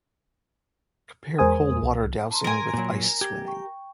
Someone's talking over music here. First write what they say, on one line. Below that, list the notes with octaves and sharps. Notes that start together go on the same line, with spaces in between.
Compare cold water dousing with ice swimming.
E2 G#3 A#4 C5 G#5 D#6
C2
A5 A#5 C6
A#4 G#5 C6 D7
A#2 F#3
G4 G#6
G5 C#6